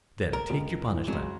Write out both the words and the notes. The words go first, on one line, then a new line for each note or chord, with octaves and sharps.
"Then take your punishment!"
A#4
C#2 D7
E3
C#2 F#2 F#3 G#3